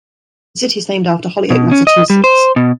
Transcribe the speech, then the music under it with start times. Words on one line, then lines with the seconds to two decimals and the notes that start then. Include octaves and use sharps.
The city is named after Holyoke, Massachusetts.
1.50 B2
1.71 C#4
1.87 D#5
2.10 G3
2.24 C5
2.56 B2